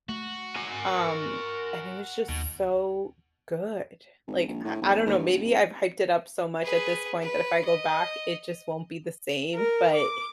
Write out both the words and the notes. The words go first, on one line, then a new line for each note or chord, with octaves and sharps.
um, and it was just so good, like, I I don't know, maybe I've hyped it up so much at this point that if I go back, it just won't be the same, but
A3 F#4
A#4 G#5
D#2 B2
G#1
A#1
A2
B1
D#2
G2
F#1
C2
G#4 B4
B4
D#5
A#4
D6